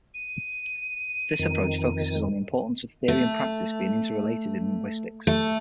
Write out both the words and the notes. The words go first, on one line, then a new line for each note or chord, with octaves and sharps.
This approach focuses on the importance of theory and practice being interrelated in linguistics.
D#7
F2 D#3
A3
A3